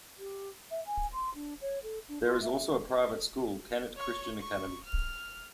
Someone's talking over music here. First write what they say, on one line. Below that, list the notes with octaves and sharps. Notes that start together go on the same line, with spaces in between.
There is also a private school, Kennett Christian Academy.
G4
E5
G#5
C6
D4
C#5
A4
D4
F4
E5
C#5 C#6
C#6
F6